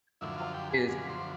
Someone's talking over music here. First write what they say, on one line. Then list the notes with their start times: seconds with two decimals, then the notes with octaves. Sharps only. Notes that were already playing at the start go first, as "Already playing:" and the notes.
the book is,
0.21 F#2 D3 F3 E4
0.38 F4
0.54 G4
0.71 G#4
0.86 F#2 D3 F3 G#4
1.08 C5